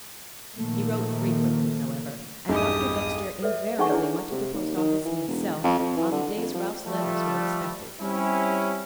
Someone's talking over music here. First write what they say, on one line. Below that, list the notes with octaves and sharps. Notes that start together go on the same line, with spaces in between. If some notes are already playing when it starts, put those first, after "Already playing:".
He wrote frequently, however, and Doctor Dexter invariably went to the post-office himself on the days Ralph's letters were expected.
A#2 D#3 F3 A3 A#3
B1 E2 G2 G4 D#6
A4 B4 C#5 D5 E5
D4 D#4 G#4 F#5 G#5 C#6
D4 E4 G#4 B4 C#5 D5
C3
D#2
D#3
E3
E1
F2
F2
E3
D3
F2
F3
F3 G3 A3
G3 C4 C#4 E4